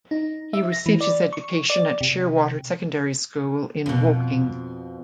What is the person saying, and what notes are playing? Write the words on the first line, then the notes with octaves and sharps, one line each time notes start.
He received his education at Sheerwater Secondary School, in Woking.
D#4
E5
A#6
E3
D5
C#6
D5
C3
F2 B2